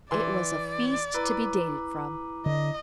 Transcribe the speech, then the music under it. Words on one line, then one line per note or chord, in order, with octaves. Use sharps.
It was a feast to be dated from.
E3 D5 C6
E4 B4 A#5 D6
D3 D#5